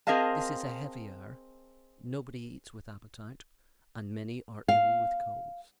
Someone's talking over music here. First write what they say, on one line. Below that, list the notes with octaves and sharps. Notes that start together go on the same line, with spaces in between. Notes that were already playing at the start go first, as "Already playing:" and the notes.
This is a heavy air; nobody eats with appetite, and many are ill with colds.
C4 G#4 A#4 D#5 F5 A5
F5